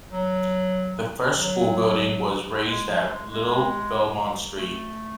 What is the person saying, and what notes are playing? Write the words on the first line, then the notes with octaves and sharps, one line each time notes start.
The first school building was raised at Little Belmont Street.
F#3
F#3
G#3
F3
G#3
G#3
A3